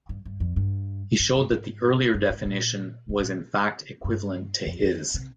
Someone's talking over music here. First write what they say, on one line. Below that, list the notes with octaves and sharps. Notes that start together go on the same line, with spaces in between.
He showed that the earlier definition was in fact equivalent to his.
G2
G2
F2
G2
G#2
G2
G#2
G2
G#2
A#2
C3
A#2
G2
F2
F2
C3